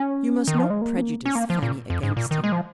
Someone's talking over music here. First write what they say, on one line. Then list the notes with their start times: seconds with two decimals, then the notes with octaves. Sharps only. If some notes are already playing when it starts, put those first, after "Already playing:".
You must not prejudice Fanny against him.
Already playing: C#4
0.48 D#3
0.58 F3
0.70 G#3
0.82 A#3
0.97 C#4
1.02 A#3
1.25 C#4
1.35 A#3
1.50 F3
1.63 A#2
1.90 F2
2.03 G#2
2.17 A#2
2.31 D#3
2.44 G#3
2.52 F3